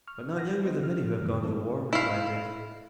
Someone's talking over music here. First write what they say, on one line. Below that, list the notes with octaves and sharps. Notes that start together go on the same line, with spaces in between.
"But not younger than many who have gone to the war," replied Dick.
C#6 F6
F#5 A#6
B3 C4 G4 C5 D#5
C3 F3 F6
F#2 D#3 E3 G3
C4 E4 A4
E4 F5